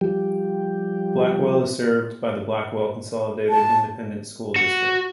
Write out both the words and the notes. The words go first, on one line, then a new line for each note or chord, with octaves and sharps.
Blackwell is served by the Blackwell Consolidated Independent School District.
F3 G3 G4
A5
F#4